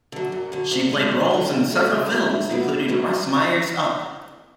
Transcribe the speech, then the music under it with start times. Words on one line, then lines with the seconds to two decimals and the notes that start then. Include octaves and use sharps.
She played roles in several films, including Russ Meyer's Up!
0.12 D3 F#3
0.32 F#2
0.52 D3 F#3
0.71 D2
0.91 D3 G#3
1.11 D2
1.31 D3 G#3
1.51 C#3
1.70 F#3 A3 E4
1.90 C#3
2.10 F#3 A3 E4
2.29 E2
2.49 B2 F#3 B3
2.69 E2
2.88 B2 F#3 B3